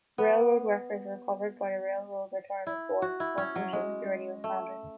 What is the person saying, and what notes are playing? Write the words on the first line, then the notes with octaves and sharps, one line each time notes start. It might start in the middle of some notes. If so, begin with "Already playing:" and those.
Railroad workers were covered by the Railroad Retirement Board before Social Security was founded.
B3
E4
F#4
E4
C#4
F#3
G#3
A3